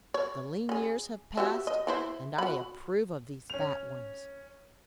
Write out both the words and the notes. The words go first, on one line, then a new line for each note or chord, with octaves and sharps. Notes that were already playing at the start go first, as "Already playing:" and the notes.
The lean years have passed, and I approve of these fat ones.'
C#5
C#4 G#4
F#4 G4 E5
D#5
E3 E4 C5
F#4 B5
C#4 F7